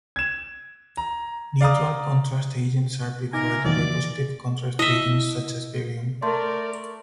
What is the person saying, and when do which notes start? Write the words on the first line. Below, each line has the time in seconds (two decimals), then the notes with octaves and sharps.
Neutral contrast agents are preferred over positive contrast agents such as barium.
0.16 G#6 E7
0.97 A#5
1.61 D5 F5 A#5 D#6
3.33 C#3 B3 D#4 A#4 E5 G#5 D6
3.65 F2 D#3 E3 F#3 A#3 D5
4.79 E4 D#5 E5
6.22 A3 A#4 D5 C6